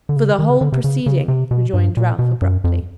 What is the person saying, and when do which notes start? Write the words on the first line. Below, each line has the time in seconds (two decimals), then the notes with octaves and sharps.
'For the whole proceeding,' rejoined Ralph, abruptly.
0.09 D3
0.16 C#3
0.39 D#3
0.50 C#3
0.61 D3
0.72 C3
0.84 C#3
1.06 C#3
1.28 C3
1.51 B2
1.73 G2
1.97 A#2
2.19 B2
2.42 F#2
2.64 F2